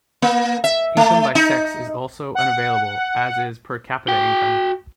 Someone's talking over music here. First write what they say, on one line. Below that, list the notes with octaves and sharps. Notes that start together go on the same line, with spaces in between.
Income by sex is also unavailable, as is per capita income.
A#3
E5
A3
D#4
F#5
F#4 G5